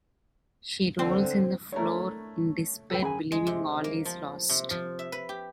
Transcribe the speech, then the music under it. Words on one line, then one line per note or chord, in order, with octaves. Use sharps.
She rolls in the floor in despair believing all is lost.
D3 C4 C5
A3 D4 E4 A#4 C#5
A4 B4 G5
F#2 C#3 G#4 G#5 B5
G#3
C3
A#3
F3
C3
F3
E5
B4
G4